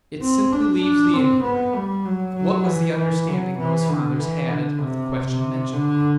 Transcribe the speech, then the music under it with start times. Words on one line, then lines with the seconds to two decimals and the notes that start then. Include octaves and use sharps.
It simply leaves the inquiry: What was the understanding those fathers had of the question mentioned?
0.22 C4
0.52 D4
0.83 D4
1.13 C4
1.44 B3
1.75 G3
2.05 F#3
2.36 F#3
2.66 E3
2.97 E3
3.27 F#3
3.58 E3
3.88 D3
4.19 E3
4.50 D3
4.81 C3
5.26 C3
5.72 D3